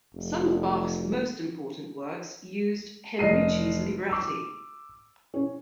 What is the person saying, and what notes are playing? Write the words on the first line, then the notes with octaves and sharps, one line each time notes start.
Some of Bach's most important works used Henrici's libretti.
F1
F1 D#5 C7 D#7
D6 E6
C#4